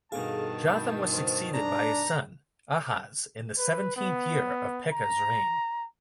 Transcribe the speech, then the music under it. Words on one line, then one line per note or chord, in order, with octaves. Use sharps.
Jotham was succeeded by his son, Ahaz in the seventeenth year of Pekah's reign.
G2 B2 D#3 G#4 A4 F5 A5
B5 G6
C5
D4 A#5
B4
B3
A#5